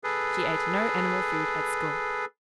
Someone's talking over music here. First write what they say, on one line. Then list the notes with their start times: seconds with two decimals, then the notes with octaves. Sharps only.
She ate no animal food at school.
0.04 G#4 A4 B4